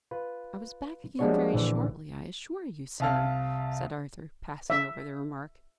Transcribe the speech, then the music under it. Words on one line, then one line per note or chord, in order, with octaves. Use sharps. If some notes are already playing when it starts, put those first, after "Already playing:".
"I was back again very shortly, I assure you, sir," said Arthur, passing over the remark.
F4 B4
F3 G3 G#3 D4 F#4 C#5
A#1 D3 E3
C2 F5 A5 E6 F6
E5